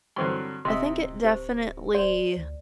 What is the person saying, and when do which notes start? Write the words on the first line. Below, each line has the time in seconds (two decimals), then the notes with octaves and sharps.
I think it definitely
0.16 G2 D3 E3 F#3 C4 C6
0.65 D1 C3 D#5 E5 C6
1.24 G4 C5
1.95 D1 C5 D5
2.36 D2